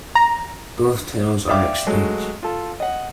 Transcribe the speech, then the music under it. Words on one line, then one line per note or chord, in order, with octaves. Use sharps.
Both titles are extinct.
A#5
D5 E5 F5 G5 D6
F#3 G#3 A3
F4 A4
D#5 F#5